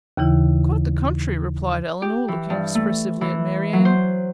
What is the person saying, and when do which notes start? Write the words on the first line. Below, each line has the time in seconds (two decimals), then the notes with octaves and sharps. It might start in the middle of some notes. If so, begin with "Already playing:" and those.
"Quite the contrary," replied Elinor, looking expressively at Marianne.
0.17 D#2 C#3 E3 E4
2.02 G4
2.28 E3
2.50 G2
2.75 A3
3.21 E3
3.73 F#3
3.85 C5